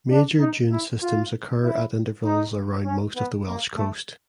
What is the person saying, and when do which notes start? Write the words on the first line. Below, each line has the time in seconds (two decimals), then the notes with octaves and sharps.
Major dune systems occur at intervals around most of the Welsh coast.
0.10 D4
0.40 D#4
0.71 E4
1.02 F4
1.63 E4
2.24 D#4
2.85 C#4
3.16 B3
3.47 A#3
3.76 A3